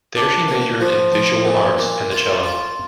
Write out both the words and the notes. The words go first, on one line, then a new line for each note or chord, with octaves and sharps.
There she majored in visual arts and the cello.
D4
A#3
F3
F3
A#2
A#3
F4
F4